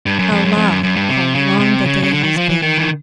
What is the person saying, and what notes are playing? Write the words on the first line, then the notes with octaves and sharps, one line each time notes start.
Allah! how long the day has been....
G2
F#2
F2
F#2
F2
F#2
F#2
G2
C3
C#3
C3
C#3
C#3
D3
D#3
F3
E3
D#3
E3